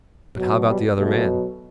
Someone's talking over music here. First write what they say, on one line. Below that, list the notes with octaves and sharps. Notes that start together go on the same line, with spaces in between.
"But how about the other man?"
B2 F#3
G3
B2 F#3 A3